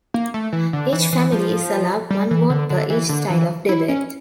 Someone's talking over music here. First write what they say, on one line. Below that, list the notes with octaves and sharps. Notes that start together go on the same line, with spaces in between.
Each family is allowed one vote per each style of debate.
A#3
A3
E3
D3
E3
E3
F3
G3
E3
D3
D3
E3
D3
E3
E4
C#4